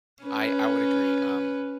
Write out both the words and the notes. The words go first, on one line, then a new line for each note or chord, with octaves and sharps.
I I would agree. Um,
C#4 B4